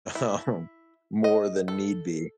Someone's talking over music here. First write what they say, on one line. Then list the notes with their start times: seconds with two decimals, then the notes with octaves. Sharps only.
um, more than need be,
0.15 E4
1.24 D#5
1.68 A4